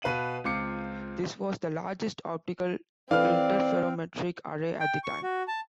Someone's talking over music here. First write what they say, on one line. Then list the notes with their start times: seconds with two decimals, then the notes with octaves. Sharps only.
This was the largest optical interferometric array at the time.
0.02 B2 B4 F5 D#7 F#7
0.44 C#2 C4 F4 D6 C7 C#7
3.11 E3 C4 A4 B4 D5 F5 F6
4.80 G5
5.04 C#6
5.23 F#4
5.48 A5